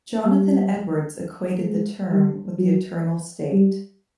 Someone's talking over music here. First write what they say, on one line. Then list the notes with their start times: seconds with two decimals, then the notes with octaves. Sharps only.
Jonathan Edwards equated the term with the eternal state.
0.25 G3
1.65 G#3
2.12 G3
2.58 F#3
3.52 G3